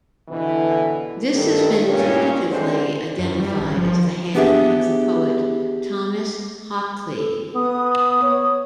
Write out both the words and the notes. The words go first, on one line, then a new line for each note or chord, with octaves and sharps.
This has been tentatively identified as the hand of the poet Thomas Hoccleve.
B2 D3 E3
G2 D#3 A4
G2 A#2 C#4
D3 E3 G#3 C4 D4 C5
F#2
G3
G#1
F3
B3 D4 G4 G#4 E5 F#5
A4
B3 D#6
C#5